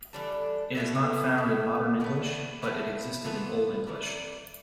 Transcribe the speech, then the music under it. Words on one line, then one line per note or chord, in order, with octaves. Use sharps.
It is not found in Modern English but it existed in Old English.
E3 G3 D4 A4
B2 B3 E4 A4
B2 A3 E4 A4
A2 E3 G3 B3
A2 F3 B3 E4
E3 B3 F4 A4
C3 E3 G3